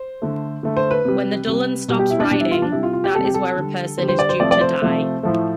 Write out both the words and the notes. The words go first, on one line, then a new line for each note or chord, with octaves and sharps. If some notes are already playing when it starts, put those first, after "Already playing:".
When the Dullahan stops riding, that is where a person is due to die.
Already playing: C5
D3 A3
D3 A3
C5
B4
C3 G3
C3 G3
B2 G3
G4
E4
D4
B2 G3 D4
E4
F4
D4
C3 G3 E4
F4
F4
G4
C3 G3 A4
G4
A4
D3 G3
D3 G3 C5
C5
D5
C5
C3 F3 A3 D5
D5
C5
C3 F3 A3
A2 F3 A3